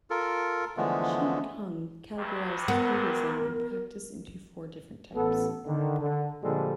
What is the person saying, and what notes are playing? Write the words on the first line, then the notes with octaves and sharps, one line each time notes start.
Chin Kung categorizes Buddhism in practice into four different types.
F4 A4 A#4
D3 E3 F3 G#3 A3 B3
C2 G2 C3
B3 A#4
A1 B3 A4
D3 D#3
D3
A#2 D3 F3 G3 G#3 A4